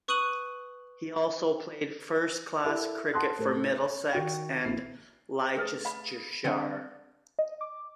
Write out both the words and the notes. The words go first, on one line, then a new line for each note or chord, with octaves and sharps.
He also played first class cricket for Middlesex and Leicestershire.
B4 C#6 D#6 F#6 D#7 F#7
E4 A4 A#4
F#5 A5 C6 D#6 F#6 A#6
A2 A4 C5
C#5
D#3 F#4 G5
A#1 E4 C7
A3 G#4 B4 D#6 A6
F5 B5
D3 C4 D4 F#5 G#5
D#5
D6